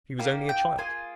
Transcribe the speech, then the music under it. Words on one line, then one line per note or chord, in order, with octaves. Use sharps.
She was only a child.
A#3 D#4 G4 F5
G5
A#3 F4 G#4 G#5